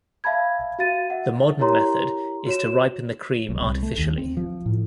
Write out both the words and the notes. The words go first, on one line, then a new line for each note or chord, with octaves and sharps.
The modern method is to ripen the cream artificially.
E5 F5 A5 B5 G#6
F#4 F5 A6 D#7
E5 F#5
E4 G4 A#4 C#5 A#5 C6
F#4 C#5 E7
B1
C2
A3
D#2
C4
F3
A2